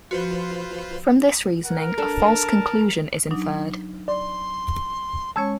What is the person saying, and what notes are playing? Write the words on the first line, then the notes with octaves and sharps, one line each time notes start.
From this reasoning, a false conclusion is inferred.
F3 F4 F#4 B4 C5
A#4 F#5
D4 A4 A5
F#3 D4 D#4
D5 C6
G#3 C#4 C#5 A5 C#6 E6 G#6